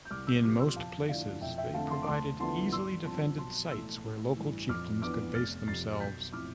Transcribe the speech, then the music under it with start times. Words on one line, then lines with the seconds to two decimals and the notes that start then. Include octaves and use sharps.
In most places they provided easily defended sites where local chieftains could base themselves.
0.05 G6
0.11 C2 D6 F6
0.27 E6 G6
0.43 C3 F3 B3 D6 F6
0.60 C6 E6
0.76 F2 F5 A5
1.09 D3 F3 A3 E4 D5 F5
1.41 F2 E5 G5
1.58 E5 G5
1.74 D3 A3 C4 F5 A5
1.90 A5 C6
2.02 D6
2.07 D2 A5 C6
2.40 D3 F3 B3 E4 A5 C6
2.72 G2 C6 E6
3.05 F3 C4 A5 C6
3.38 B1 A5 C6
3.71 A2 E3 A3 C6 E6
4.04 A1
4.36 G2 E3
4.69 F2 D6 F6
5.02 E3 B3 D4 D6 F6
5.35 F1 F6 A6
5.67 F2 C3 A6 C7
6.00 B1 G6 B6
6.33 A2 F3 C4 E4 D6 F6